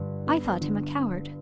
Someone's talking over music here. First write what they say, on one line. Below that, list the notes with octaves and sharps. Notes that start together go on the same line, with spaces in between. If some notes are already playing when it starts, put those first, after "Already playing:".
I thought him a coward.
Already playing: G2 D3
B3
D3